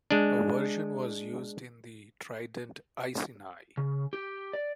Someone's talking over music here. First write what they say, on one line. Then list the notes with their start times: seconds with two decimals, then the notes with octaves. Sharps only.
A version was used in the Trident Iceni.
0.11 G#3 D4
3.77 C#3
4.13 G4
4.53 D5